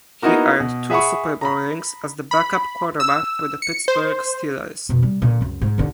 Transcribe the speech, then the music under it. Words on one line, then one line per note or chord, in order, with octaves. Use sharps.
He earned two Super Bowl rings as the backup quarterback for the Pittsburgh Steelers.
A#3 B3 D#4 E4 F#4 A#4
B2
G#4 E5 F#5 G#5 B5 C#6
A#5 B5
B5
E6
C#7
C5
F2 B2
G3
A#2 D3
C#2 F#2
G#2
D#2 D3